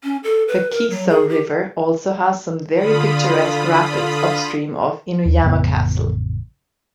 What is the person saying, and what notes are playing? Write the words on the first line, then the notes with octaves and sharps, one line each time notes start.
The Kiso River also has some very picturesque rapids upstream of Inuyama Castle.
C#4
A4
B4
A#4
F#3
G#4
G4
D3 F4 B5 D#6
D#2
A1 F2 C#3 B3